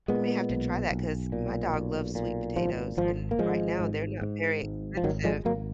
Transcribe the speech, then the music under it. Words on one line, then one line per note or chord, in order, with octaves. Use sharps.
I may have to try that ‘cause my dog loves sweet potatoes. And right now, they're not very expensive.
A#2 G#3 B3
B1
B1
A#2
B1
A#2
G#1 F3
G#1 F3
A#3
G#1 F3 G#3
G#2
G#2
G#1
F3
G#1 D#3 F#3
F3 G#3
G#1 F#3 A#3